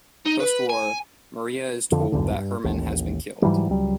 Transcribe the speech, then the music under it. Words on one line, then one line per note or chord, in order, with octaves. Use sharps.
Postwar, Maria is told that Hermann has been killed.
D#4
B4
G#5
F2 D3
B1 E2 G2 D3
G2
A1 D#2
G#2 E3 F#3 G3
C#2 F#3 G3